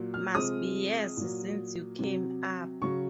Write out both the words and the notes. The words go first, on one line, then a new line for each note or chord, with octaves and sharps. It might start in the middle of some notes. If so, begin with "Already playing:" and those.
Must be years since you came up.
Already playing: A#2 F#3
F6
C3 F3 G#3 D#6
A#2 F#3
C3 F#3
C#3 F#3 C#6